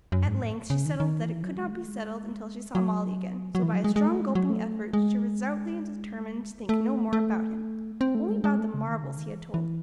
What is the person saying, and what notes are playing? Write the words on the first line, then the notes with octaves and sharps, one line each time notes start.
At length she settled that it could not be settled until she saw Molly again; so, by a strong gulping effort, she resolutely determined to think no more about him, only about the marvels he had told.
F#2
G#2
A2
C#3
D#3
D#3
E3
F#3
G#3
A3
G#3
F#3
F#3
E3
F#3
G#3
G#3
A3
G#3
F#3
A3
G#3
A3
A3
C4
A3
G#3
G#3
A3
C#3
D#3
C#3
D#3
E3
E3